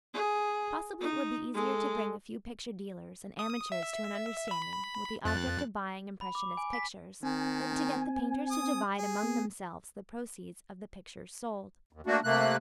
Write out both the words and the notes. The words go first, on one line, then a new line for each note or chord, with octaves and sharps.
Possibly it would be easier to bring a few picture-dealers and amateurs to an understanding with the object of buying impressionist pictures, than to get the painters to divide among themselves the proceeds of the pictures sold.
G#4
D#4
G#3 A4
D#6
E5
B5
F2 F#6 A6
B5
D6
G#5
B6
D#3 C4 G#5
D#6
G#4
B3
D#2
A3 A#3 D4 F#4
C3 A3 A#3 F#6